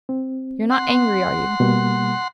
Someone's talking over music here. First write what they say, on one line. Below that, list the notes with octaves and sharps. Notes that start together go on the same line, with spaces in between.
You're not angry, are you?
C4
F#5 C6
B2 G3 A#3